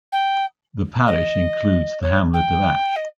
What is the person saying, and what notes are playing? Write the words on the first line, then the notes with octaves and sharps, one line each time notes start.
The parish includes the hamlet of Ash.
G5
D#5
C#5
G5
D#5